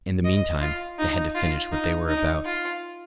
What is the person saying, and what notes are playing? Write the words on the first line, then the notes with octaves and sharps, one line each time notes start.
In the meantime they had to finish what they were about.
D#5
F4
D#4
F4
D#4
D#4
F4